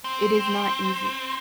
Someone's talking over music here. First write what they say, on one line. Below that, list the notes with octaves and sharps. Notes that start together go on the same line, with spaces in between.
It is not easy.
C4